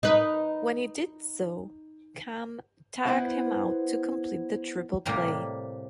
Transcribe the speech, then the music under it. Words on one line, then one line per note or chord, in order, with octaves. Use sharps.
When he did so, Kamm tagged him out to complete the triple play.
D#4 A#4 B4
B3 E4 B4 C5 F#5
A2 C3 G3 A#3